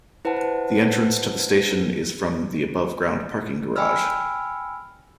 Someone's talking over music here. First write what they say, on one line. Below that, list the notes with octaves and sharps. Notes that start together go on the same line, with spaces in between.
The entrance to the station is from the above ground parking garage.
E4 B4 C5 F#5 A5
G5 G#5 B5 E6 F6